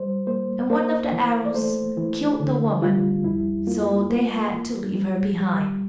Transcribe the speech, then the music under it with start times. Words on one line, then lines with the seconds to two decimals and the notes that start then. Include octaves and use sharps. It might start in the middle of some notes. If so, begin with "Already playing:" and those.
And one of the arrows killed the woman, so they had to leave her behind.
Already playing: G3 C5
0.27 A#3 C5
0.70 A#3 C5
1.12 E3
1.45 D5
1.54 A3 C5
1.97 E3
2.40 D3
2.82 G3 F4
3.24 F2 E4
3.67 A#3 F4
4.10 A#3
4.52 E3
4.94 G3
5.37 G3